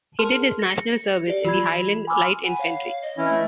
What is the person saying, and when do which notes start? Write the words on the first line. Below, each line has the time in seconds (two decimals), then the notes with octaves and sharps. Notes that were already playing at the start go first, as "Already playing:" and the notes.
He did his National Service in the Highland Light Infantry.
0.19 G#4 A#4 A5 C6 F6
0.59 A#6 C#7
1.27 G4 D5
1.45 E3 F4 B5 G#6
2.07 G#5 B5 C6 D6 E6 F6
2.44 F#5 G#5 B5
2.59 C#5 F5
3.02 D#5
3.18 E3 C#4 E4
3.30 A3